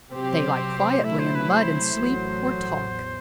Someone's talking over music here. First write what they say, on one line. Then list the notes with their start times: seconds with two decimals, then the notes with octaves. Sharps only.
They lie quietly in the mud and sleep or talk.
0.10 C3 F#3 C4 G4 C5
1.04 C3 F#3 A3 E4 E5
1.19 C5
1.35 B4
1.50 C5
1.97 A1 A2 F#3
2.89 E2